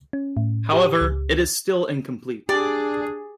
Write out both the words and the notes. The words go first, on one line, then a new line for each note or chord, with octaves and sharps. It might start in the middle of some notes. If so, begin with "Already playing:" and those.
However, it is still incomplete.
C#4
A2
G4
C#2
D4 G4 G#4 D5